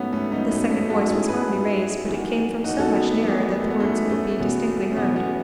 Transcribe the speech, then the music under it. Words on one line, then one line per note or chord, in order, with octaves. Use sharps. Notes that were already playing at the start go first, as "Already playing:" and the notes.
This second voice was hardly raised, but it came from so much nearer that the words could be distinctly heard.
Already playing: G#2 F#3 A3 B3 C#4
A3 C#4
G#2 F#3 B3 D#4
A3 C#4
A3 C#4
G#2 F#3 F#4 A4
A4
E4 G#4
G#4 B4
G#2 F#3
E2 D#3 F#3
E2 D#3 F#3 D#4 F#4
F#4 A4
B3
A3
E2 D#3 F#3 B3
A3
B3
E2 D#3 F#3 A3 C#4
A3 C#4
E2 B2 F#3 B3
A3
C#4
E2 B2 F#3 B3
B3